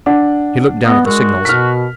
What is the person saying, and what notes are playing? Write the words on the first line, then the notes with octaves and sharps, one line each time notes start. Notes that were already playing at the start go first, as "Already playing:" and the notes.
He looked down at the signals.
D4 F#5
B3 D#5
G#3 F#4 A#4
B2 F6 B6